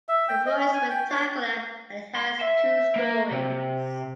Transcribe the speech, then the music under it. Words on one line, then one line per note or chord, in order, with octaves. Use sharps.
The floor is rectangular and it has two stories.
E5
G5
D#5
C#4
G#5
G5
C#5
C6
E5
A#3
C3